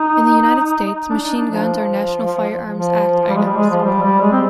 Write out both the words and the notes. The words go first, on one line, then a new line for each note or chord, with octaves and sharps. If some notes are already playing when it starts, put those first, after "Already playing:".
In the United States, machine guns are National Firearms Act items.
Already playing: D#4
D4
D#4
D4
F3
F3
G3
G#3
G3
G#3
F3
G3
G3
G#3
C4